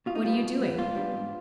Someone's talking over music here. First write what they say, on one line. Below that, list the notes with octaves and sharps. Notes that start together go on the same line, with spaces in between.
'What are you doing?'
B2 F4
D#4
G3 B3 F4
B2
G3 B3
G#2 F4
G3 B3 D4
G#2